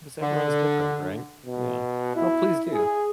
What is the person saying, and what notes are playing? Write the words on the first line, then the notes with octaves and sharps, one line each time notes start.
'Cause everyone's different, right? Yeah. Well, please do.
D3
B2
E4
G#4